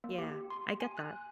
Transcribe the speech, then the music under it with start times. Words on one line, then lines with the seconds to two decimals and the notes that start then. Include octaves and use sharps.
Yeah, I get that.
0.04 A#3
0.18 G4
0.50 C6
0.81 G#5
0.98 F#6